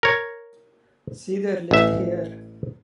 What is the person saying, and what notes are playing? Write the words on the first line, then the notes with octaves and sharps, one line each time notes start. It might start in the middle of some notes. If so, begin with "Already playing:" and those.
See their list here.
A#4 C#5
A1 E5